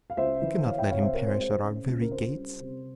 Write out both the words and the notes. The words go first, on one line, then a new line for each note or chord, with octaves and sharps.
We cannot let him perish at our very gates.
F5
C#2 C5 E5
E3
E3 C#5 F5
E5 G5
C3 C#5 F5
C5 E5
C4 A#4 C#5
C5
G#3 C5
C5
C#3
C#2
A#4
C#4 C5
G3
C3